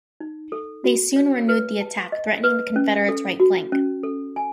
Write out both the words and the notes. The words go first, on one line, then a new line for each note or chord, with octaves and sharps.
They soon renewed the attack, threatening the Confederate's right flank.
D#4
A4
F#4
C#5
B4
A5
D#5
B4
C#4
A4
F#4
C#4
A4
G#5